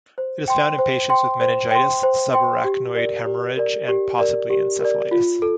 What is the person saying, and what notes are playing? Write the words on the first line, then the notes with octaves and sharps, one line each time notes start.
It is found in patients with meningitis, subarachnoid haemorrhage and possibly encephalitis.
C5
G5 C6
C5
G5 C6
C5
G5 C6
C5
G5 C6
G4
A#4 D5
G4
A#4 D5
G4
A#4 D5
G4
A#4 D5
F4
A4